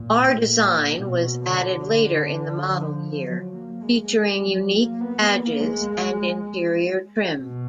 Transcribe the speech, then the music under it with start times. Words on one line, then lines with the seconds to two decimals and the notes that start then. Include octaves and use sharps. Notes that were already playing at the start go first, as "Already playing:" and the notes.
R-Design was added later in the model year, featuring unique badges and interior trim.
Already playing: A#2
0.88 B2
1.47 D3
2.65 F3
3.24 F#3
3.54 A#3
3.83 G#3
4.42 F#3
4.72 A#3
5.01 B3
5.31 A#3
5.60 G#3
7.38 B2